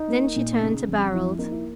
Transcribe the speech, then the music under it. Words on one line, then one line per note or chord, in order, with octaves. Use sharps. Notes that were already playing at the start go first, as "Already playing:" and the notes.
Then she turned to Barold.
Already playing: D#4
A#3
A#2
C#3
F2
F3 E4
A#3 D#4
E4